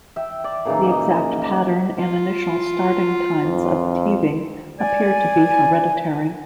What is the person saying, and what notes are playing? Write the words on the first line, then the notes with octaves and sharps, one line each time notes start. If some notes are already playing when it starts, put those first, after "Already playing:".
The exact pattern and initial starting times of teething appear to be hereditary.
E5 G5
D5
A#2 C#3 E3 D#4
D#5
D5
F4
F2
D5 G#5